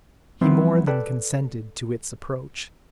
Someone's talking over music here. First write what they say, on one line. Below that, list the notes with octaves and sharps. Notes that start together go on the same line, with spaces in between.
He more than consented to its approach.
F3 G3 B3 C4 E4 F4
A4 B4 D5 G5 A5